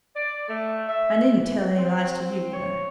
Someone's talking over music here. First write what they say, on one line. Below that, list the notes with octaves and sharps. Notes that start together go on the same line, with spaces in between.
I needn't tell any lies to you, you know.
D5
A3
E5
E3
C4
C#5